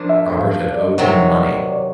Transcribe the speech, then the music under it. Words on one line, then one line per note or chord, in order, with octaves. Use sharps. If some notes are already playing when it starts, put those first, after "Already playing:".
Robert had owed him money.
Already playing: F3 A#3 D4
E5
F5
D5
D#5
C3 D#3 F#3 C#5
D5
C#5
D5
C#5